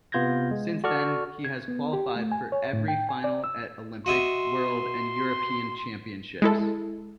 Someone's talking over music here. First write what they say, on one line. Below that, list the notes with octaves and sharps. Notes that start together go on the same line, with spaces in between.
Since then he has qualified for every final at Olympic, World and European Championships.
C3 B3 F4 G6 G#6 A#6
G#3
F#4 A4 D5 C#6 F6
G#6
B3
G4
A3
G#5
C#5
A2
G5
G#5
D5
E6
F#4 D#5 E5 C6
G#3 E4 A4